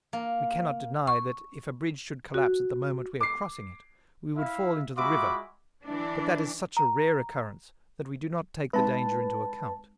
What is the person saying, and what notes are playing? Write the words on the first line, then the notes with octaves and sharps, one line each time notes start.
We cannot deny that if a bridge should collapse at the moment we are crossing it, we would fall into the river, but that is such a rare occurrence that we do not take the danger into account.
A#3
C#6
F#4
D6 C7
E4 E5 F5
G#3 F4 F#4 E5 B5 D6
E3 D4
A#5
G#3 C4 D#4 B4 A5